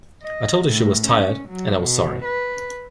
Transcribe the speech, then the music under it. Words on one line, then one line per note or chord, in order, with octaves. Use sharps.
I told her she was tired, and I was sorry.
D#5
A2
C#4
F#3
B2
B4